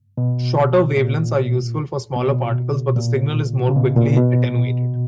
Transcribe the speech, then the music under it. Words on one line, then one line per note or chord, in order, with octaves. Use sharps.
Shorter wavelengths are useful for smaller particles, but the signal is more quickly attenuated.
B2
A#2
B2
A#2
C#3
B2
A#2
B2